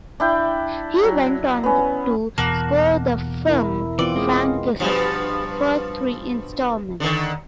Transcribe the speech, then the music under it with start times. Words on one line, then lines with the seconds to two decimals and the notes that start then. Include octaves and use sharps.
He went on to score the film franchise's first three installments.
0.20 D4 E4 G5
1.03 F#3
1.63 B3 C#4
2.38 E2 B2 A#3 F#4 A5
3.47 E4 A#4
3.99 E3 B3 C4 F4 D5
4.16 G#3 C4 C#4 D#6
4.80 G2 B2 F3
7.00 D3 D#3